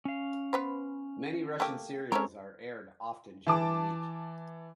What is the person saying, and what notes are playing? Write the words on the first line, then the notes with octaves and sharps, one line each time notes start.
Many Russian serials are aired often during the week.
C#4 F5
B3 B4 C5
A3 A#3 G4
G#3 C4 C#4 A4 A#4 C#5
E3 A5 D6